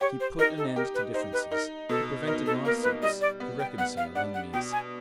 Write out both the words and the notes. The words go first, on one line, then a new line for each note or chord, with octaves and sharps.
He put an end to differences, he prevented lawsuits, he reconciled enemies.
G4 C#5
C5
D#4 A#4
A4
G4 A#4
B4
D#4 C5
B4
D#4 A#4
B2 A4
D#4 A#4
A4
A#3 A#4
B4
G3 D#5
D5
B3
G5
B3 F#5
F5
D4 F#5
F#5
B2 G5
G#5